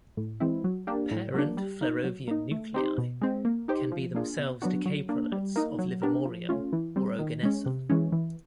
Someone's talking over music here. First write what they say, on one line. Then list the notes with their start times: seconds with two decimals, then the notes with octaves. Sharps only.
Parent flerovium nuclei can be themselves decay products of livermorium or oganesson.
0.17 A2
0.40 E3 G#3 C4 E4
0.64 F#3
0.87 A#3 D4 G4
1.11 A2
1.34 F#3 A#3 D4
1.57 G3
1.81 A#3 D#4
2.04 F#3
2.28 A#3 D#4
2.51 A3
2.74 C4 D#4 G4 C5
2.98 B2
3.21 G#3 C4
3.45 A#3
3.68 D#4 G4 C5
3.92 F3
4.15 A#3 D4 F4 G#4
4.38 B2
4.62 F#3 B3 D4 F#4
4.86 F#3
5.09 A#3 D4
5.32 G3
5.56 A#3 D#4
5.79 F#3
6.02 B3 D4 G4 A#4
6.25 F3
6.49 A3 C#4 F4
6.73 E3
6.96 G3 C4
7.19 D#3
7.43 G#3 C#4
7.66 C3
7.90 E3 G#3 C#4
8.12 E3